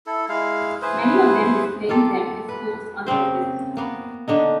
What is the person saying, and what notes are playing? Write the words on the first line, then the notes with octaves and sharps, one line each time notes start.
Many of them disclaimed them as "spoofs" on terrorism.
E4 A4
G#3 E4 F5
E4 G#4 B4 C5
A#3 F4 G4 A4
B4
C#3 A#3 C4 C5
A#3 B3
D3 D4 D#4